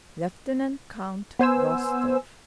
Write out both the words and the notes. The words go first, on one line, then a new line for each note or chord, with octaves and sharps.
"Lieutenant Count Rostov."
B3 C5 G#5 E6